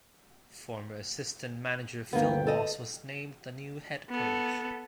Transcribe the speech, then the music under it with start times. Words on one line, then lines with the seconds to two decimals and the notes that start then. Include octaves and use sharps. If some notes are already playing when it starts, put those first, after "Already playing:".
Former assistant manager Phil Moss was named the new head coach.
2.13 G1 D2 A#3 B3 G5
2.47 A4 D#5
4.10 B3 A4